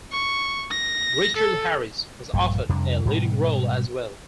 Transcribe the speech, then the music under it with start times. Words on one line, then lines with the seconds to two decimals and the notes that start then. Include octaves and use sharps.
Richard Harris was offered a leading role as well.
0.12 C#6
0.71 A#6
1.36 A4
2.34 A#1 G2 A#2
2.69 F2 C3 G3 D4
3.05 G#2 B2 G3